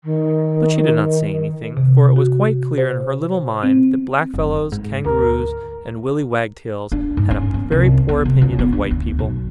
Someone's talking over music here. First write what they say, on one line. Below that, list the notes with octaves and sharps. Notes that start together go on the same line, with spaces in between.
But she did not say anything, for it was quite clear in her little mind that Blackfellows, kangaroos, and willy wagtails had a very poor opinion of white people.
D#3
C3
F#4
C5
C4
F#1
G#2
D2 A#4
D4
G#2
C#4
B3
C2
B3
C3
C#2
B3
D4
D2
B1